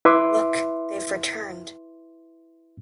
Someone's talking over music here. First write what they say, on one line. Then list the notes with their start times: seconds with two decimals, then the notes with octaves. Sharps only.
Look, they’ve returned.
0.05 E4 B4 E5 C6 D6